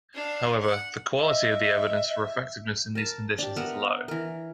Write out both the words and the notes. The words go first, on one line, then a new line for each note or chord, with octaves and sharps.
However, the quality of the evidence for effectiveness in these conditions is low.
D4 F5
F#5
D#5 E5
A#4 A5
D4 G4
B3 A#4 E5 F#5
E3 A#4